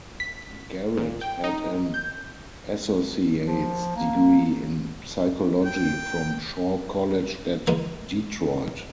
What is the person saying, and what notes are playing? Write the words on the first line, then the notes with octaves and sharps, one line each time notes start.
Garrett had an associate's degree in psychology from Shaw College at Detroit.
B6
A#2
G5
D#4
G6
F3
A#3
G5
E3 G#3 A#3